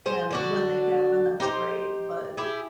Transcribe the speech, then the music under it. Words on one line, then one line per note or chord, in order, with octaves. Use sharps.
and when they happen, that's great, but
G#4 C5
D3 D4 F#4
D#4 G4 B4 C5
E4 G4 G#4